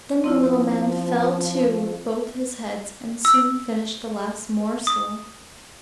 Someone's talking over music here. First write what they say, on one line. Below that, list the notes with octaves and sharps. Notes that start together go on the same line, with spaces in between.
Then the little man fell to with both his heads, and soon finished the last morsel.
F3 C4 E4 F4
E6
D#6